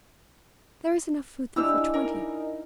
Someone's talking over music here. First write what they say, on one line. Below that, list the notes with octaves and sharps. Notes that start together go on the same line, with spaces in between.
"There is enough food there for twenty."
D4 E4 G4 D#5 G#5 E6 F6
D#4 A#4